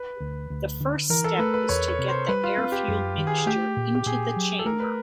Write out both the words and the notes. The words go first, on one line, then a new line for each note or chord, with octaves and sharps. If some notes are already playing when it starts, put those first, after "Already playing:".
The first step is to get the air-fuel mixture into the chamber.
Already playing: B4
D2
D2
D3
E3 A#4
A4
A3 B4
B4
E2 C#5
C#5
C3
C5
G3 B4
F4
C4 F4
G4
F#2
D#3
G#4
G#4
A3 G4
A#2
G4
A#2 G#4
F#3
A4
A3 A#4
B4